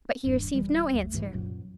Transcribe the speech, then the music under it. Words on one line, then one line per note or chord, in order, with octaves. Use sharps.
But he received no answer.
D#1 G2
D#1 E3 G3
G#1 D#2 A3
C2 G#2 C3 E3
F#2 A#2 F#3